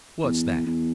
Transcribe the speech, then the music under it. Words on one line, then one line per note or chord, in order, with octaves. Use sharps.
"What's that?"
E2
E2